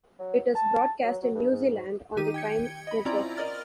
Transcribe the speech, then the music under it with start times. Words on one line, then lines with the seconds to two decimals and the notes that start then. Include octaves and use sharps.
It is broadcast in New Zealand on the Prime network.
0.19 F#3
0.56 A5
1.02 F#3
1.22 F#3
1.33 G2
1.51 G#2
2.17 D#3 D#4 G4 D#7
2.34 G5 G#6 C#7
2.87 D#5 B5
3.05 C4 C#4 E4 F4 D5 A#5
3.37 A#4 D5 D#5 F6 A6